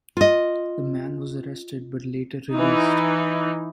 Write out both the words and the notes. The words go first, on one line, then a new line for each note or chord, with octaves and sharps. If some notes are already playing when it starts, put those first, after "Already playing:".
The man was arrested but later released.
F4 D#5
E3 D#4